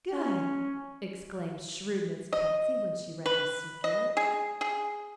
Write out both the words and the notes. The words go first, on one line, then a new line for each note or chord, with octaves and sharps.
"Good!" exclaimed shrewd Miss Patsy, when she read this circular.
C#4
D#5
B4
D#5
G#4
G#4